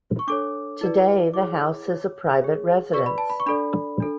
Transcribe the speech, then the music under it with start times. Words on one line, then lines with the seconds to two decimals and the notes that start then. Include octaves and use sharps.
Today the house is a private residence.
0.19 C#6
0.28 D4 A4 C#5 D6
0.81 E4 B4 D5
1.34 E4 G#4 C#5 D6
1.87 F#4 C#5
2.41 G#4 C#5
2.93 F#4 B4 D5 C#6
3.06 B5
3.18 A5
3.30 B5
3.40 C#6
3.46 D4 A4 D5 B5
4.00 D4 A4